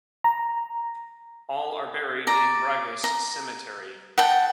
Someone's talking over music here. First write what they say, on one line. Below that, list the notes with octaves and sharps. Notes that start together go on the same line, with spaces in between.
All are buried in Brigus Cemetery.
A#5
D5 A#5
A#5
F#5 G5 A5